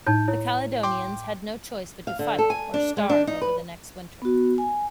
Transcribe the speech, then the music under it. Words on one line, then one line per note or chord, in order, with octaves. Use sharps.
The Caledonians had no choice but to fight, or starve over the next winter.
A2 D#4 A5 G6
E4 C#5
G5 C6 D6
F5
D3
A4
G#5
D4
G#3
D4
D#4
B4
B3 F#4
G#5